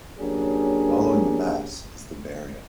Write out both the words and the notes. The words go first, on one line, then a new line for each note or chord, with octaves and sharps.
Following the mass is the burial.
F#3 A#3 C#4 D4 G4 G#4